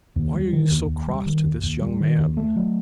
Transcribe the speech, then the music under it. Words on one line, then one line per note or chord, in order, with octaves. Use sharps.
'Why are you so cross to this young man?'
D#2
G3
D#3
D#2
D#2
G3
D#3
D#2
D#2
G3
D#3
D#2
A3
F#3